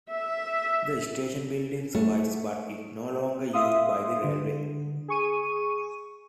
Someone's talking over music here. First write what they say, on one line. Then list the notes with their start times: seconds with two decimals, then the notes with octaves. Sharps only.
The station building survives but is no longer used by the railway.
0.10 E5
1.95 A3
3.53 E5 F5 C6 D#6
4.24 D3
5.08 G#4 C#6 D#7